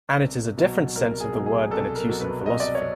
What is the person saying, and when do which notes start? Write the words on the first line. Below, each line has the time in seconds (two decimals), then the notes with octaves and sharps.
And it is a different sense of the word than its use in philosophy.
0.20 C2
0.58 B2 F#3
0.96 C2 A#4
1.20 G#4
1.33 B2 F#3
1.46 G#4
1.71 C2 A4
1.96 A#4
2.09 B2 F#3
2.21 B4
2.46 C2 D#5
2.60 D5
2.75 C#5